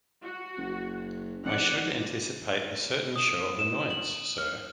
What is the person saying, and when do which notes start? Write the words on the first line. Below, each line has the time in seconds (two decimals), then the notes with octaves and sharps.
I should anticipate a certain show of annoyance, sir.
0.23 F#4
0.57 F#1
1.44 F1 D5 F#5
3.16 D#6
3.59 E7
3.90 F#7
4.38 F6